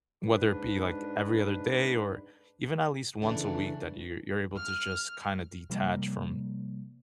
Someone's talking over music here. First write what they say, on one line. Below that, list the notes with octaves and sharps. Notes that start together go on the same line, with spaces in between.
whether it be, like, every other day or even at least once a week that you're you're able to just kind of detach from
G#2 D4 B4
C#3 E3 A3 D4
F6
C3 F3 G3 A#3